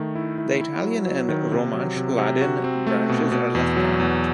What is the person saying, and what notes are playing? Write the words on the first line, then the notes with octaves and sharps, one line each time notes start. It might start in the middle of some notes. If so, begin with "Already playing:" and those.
The Italian and Romansch-Ladin branches are less prominent.
Already playing: D#3 A3
E4
E4
E4
F#3
F#3
D#3
C3
F#3
C3
C3
F#4
C4
A3
B2
B2
E2
F#3
E2